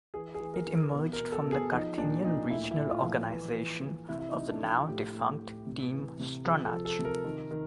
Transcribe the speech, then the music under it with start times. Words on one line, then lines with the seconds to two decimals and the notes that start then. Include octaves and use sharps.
It emerged from the Carinthian regional organization of the now defunct Team Stronach.
0.14 E3 G#4
0.34 G#4
0.40 E3
0.54 A#4
0.67 E3
0.74 A#4
0.93 B2
1.13 A#4
1.20 B2
1.32 A4
1.46 B2
1.52 G#4
1.72 F3 D#4
1.98 A#2 D4
2.24 A#2 D#4
2.50 A2 E4
2.71 E4
2.77 A2
2.90 F4
3.03 F3
3.30 E3
3.56 E3
3.83 E3
4.09 C3 E4
4.19 E4
4.29 D#4
4.35 C3
4.49 D4
4.61 F3
4.68 F4
4.88 A2 G4
5.15 A2
5.41 A2
5.67 C3
5.94 E3
6.20 C3
6.45 F3 G#4
6.65 A4
6.72 F3
6.85 A4
6.99 C3
7.05 A#4
7.25 D#3
7.51 D#3